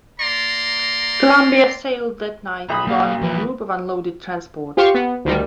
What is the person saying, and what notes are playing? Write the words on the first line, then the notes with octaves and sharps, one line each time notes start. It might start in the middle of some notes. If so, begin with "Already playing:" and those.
"Columbia" sailed that night, guarding a group of unloaded transports.
A#3 D5 A#5 C6
B1 A#5 B5 D#6
F#2 A#3 F5
E2 F3 E4 B4
F4 G4 C5 F5 C6 C#6
B3
D2 D#3 G3